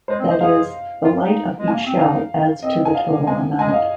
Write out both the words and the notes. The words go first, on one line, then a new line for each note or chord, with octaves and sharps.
That is, the light of each shell adds to the total amount.
G#3 C5
C4
D#5
C5
G#4 F5
F4
D#4
G#3
A#3 G#5
C4
D#4 F5
C4 D#5
G#5
F5
G#3 G#5
G#3 G#5
D#5
F5